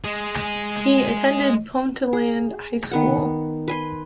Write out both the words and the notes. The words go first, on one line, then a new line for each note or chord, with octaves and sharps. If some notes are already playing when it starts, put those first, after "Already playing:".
He attended Ponteland High School.
G#3 G#4
G#4
D#3 B3 F#5
B4 G#5 C6